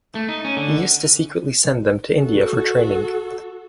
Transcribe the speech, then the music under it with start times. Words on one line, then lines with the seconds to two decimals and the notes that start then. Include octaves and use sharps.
He used to secretly send them to India for training.
0.15 A3
0.28 D#4
0.45 C#4
0.57 D3
2.16 F#4 A4